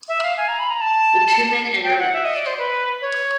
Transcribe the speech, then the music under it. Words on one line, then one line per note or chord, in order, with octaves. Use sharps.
The two men enter left.
E5
F5
G#5
A#5
B5
A#5
A5
G5
F#5
E5
D#5
D5
C5
B4
C#5